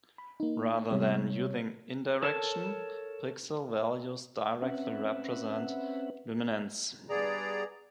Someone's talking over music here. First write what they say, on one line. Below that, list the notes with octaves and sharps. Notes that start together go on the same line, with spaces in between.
Rather than using indirection, pixel values directly represent Luminance.
B5
A#3 D#4
C3 G3 B3 C#5
A4 A#4 C#5 A5
C4 C#4 B4 E5 F#5
G2 B3 G#4 D5 A#5